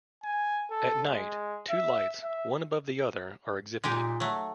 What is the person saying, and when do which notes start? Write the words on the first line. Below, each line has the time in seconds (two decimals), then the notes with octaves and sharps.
At night, two lights, one above the other, are exhibited.
0.24 G#5
0.71 A4
1.07 G#3
1.70 E5
2.23 E5
3.84 A#2 G#3 D#4 G4
4.20 F#3 A3